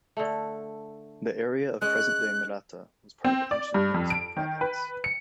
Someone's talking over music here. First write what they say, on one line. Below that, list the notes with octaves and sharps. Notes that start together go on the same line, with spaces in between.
The area of present-day Murata was part of ancient Mutsu Province.
D3 A3
G#3 C#4 F#6
C4
D5
G2
F2
D7
D#3
B4
C#7